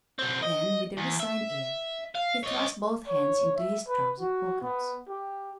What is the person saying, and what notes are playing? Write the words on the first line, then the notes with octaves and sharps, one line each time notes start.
Then, with a resigned air, he thrust both hands into his trousers pockets.
B2 C4
D#5
E2
E5
F5
C#5 D#5
C#5
E5
B4
F#4
B3
G4